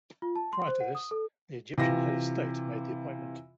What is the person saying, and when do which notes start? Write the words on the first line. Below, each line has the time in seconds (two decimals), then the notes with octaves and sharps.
Prior to this, the Egyptian head of state made the appointment.
0.22 F4
0.36 A5
0.53 C6
0.68 C5
0.80 F#5
0.95 D#6
1.11 A4
1.78 C3 E3 F4 A#6